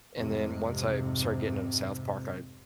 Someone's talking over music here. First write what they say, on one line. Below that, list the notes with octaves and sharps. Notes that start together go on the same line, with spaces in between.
and then once I started getting into South Park, I
F2 G#2 C3